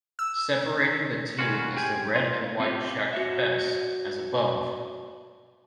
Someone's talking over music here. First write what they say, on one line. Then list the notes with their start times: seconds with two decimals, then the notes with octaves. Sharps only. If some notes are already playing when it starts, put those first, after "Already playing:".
Separating the two is the red and white checked fess, as above.
0.19 E6
1.39 D#3 G3 C#4 F4 F#4
1.77 G4 G#4 G5 G#5
2.16 A#3 F4
2.60 C4 F4 G4
3.13 F#4 C#5 E5